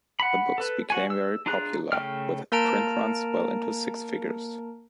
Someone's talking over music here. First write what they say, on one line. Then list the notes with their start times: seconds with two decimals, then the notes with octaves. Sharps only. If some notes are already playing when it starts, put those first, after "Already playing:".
The books became very popular, with print runs well into six figures.
0.20 F#5 B5
0.58 A4 B4
0.90 F#4 G#5
1.10 E6
1.46 D4 F4 G#4 A#5 F#6
1.92 C#3 A3 C4 G5 F6
2.52 A#3 A#4 A5 A#5 D7